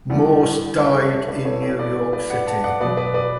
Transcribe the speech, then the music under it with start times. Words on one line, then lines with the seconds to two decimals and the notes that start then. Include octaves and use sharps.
Morse died in New York City.
0.10 E2 D3 G3 D5 F#5
0.78 C#5 E5
0.95 A4 C#5
1.12 C#5 E5
1.28 B4 D5
1.45 A4 C#5
1.62 A4 C#5
1.79 B4 D5
2.13 B4 D5
2.30 D5 F#5
2.47 F#5 A5
2.64 D5 F#5
2.80 B2 F#3 B4 D5
2.97 B4 D5
3.14 B4 D5